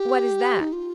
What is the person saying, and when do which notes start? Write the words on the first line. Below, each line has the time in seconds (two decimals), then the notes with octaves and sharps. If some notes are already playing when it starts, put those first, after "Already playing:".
"What is that?"
Already playing: G4
0.61 D#4
0.73 F4